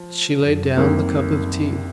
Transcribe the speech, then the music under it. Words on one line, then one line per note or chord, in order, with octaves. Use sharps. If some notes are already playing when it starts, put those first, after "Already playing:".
She laid down the cup of tea.
Already playing: F3
F#2
C2 F#2 C3 D#3 A#3
F#2